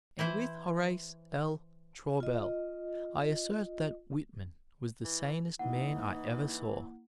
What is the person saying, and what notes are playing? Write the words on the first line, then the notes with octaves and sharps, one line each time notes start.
And with Horace L. Traubel I assert that Whitman was the sanest man I ever saw.
E3 E4 C5
F4 D#5
E3
E3 A#3 D#4 E4 F#5